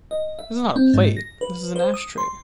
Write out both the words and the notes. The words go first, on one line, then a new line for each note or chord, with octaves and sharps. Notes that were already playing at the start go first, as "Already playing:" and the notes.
This is not a plate! This is an ashtray.
D#5
E5
C4
G#2
A#6
B4
C5
D#6
C6